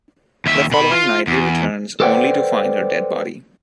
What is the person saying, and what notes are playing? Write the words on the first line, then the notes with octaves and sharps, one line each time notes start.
The following night he returns, only to find her dead body.
D#2 E5
B2 B5
F4
E2
A4 B4 C5 D5 F#5 G5